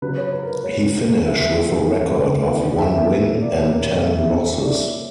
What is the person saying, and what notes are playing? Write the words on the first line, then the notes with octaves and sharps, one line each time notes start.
He finished with a record of one win and ten losses.
C#3 F#3 B3 D4 B4
C#5
B4
A#4
B4
C#5
D3 G3 B3 D4 E5
E3 B3 D4
E5
D5
C#5
B4
A#2 A#3 C#4 A#4
C#5
E5
D5